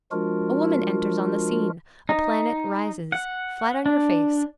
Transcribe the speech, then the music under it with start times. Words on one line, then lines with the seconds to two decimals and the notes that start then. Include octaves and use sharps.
A woman enters on the scene, a planet rises; flat on your face!
0.12 F3 G#3 D4 F4 F#4 A#4
2.09 D#4
3.12 F#5
3.86 D4